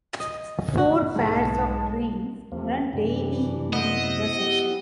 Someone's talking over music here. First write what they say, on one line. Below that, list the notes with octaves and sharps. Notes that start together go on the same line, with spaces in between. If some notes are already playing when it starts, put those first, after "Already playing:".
Four pairs of trains ran daily in the section.
D#5
F#4
B1 G#2 G#3 A5
E2 C3 F3 A3 A#3
F#2 C3 E3 G3 D4
B3 E4 C5 D#5
G4